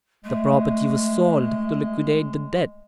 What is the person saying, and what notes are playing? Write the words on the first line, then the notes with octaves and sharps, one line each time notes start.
The property was sold to liquidate the debt.
G#3 A3